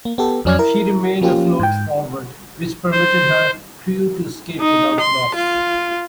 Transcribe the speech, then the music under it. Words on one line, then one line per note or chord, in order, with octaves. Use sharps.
She remained afloat forward, which permitted her crew to escape without loss.
A#3
B3 G4 A4
F2 F#3 C#4 D5 F6 G#6
E4 A#4
F3 A#3 C#4 F4 G4
G#2 G5
C5
D#4
C6
F4